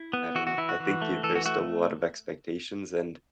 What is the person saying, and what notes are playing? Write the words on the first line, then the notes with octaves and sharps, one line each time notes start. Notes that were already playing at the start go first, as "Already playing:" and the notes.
I don't know, I think there's still a lot of expectations and
Already playing: E4
B3
E3 F#4
F#4
E3 E4
F#4
E3
A3
E3 A4
F#4
A3 F#4